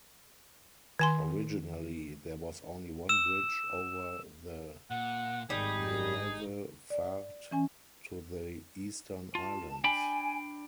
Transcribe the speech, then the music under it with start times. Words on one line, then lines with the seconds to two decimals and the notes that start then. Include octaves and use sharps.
Originally there was only one bridge over the Nieuwe Vaart to the Eastern Islands.
0.99 D#3 G#5 C6
3.09 E6 E7
4.90 A#2 F#5
5.50 G#1 G3 D#4 G#4
6.90 D5
7.51 E3 C#4 G#5
9.35 F4 A5
9.84 D4 G5 G#5 B5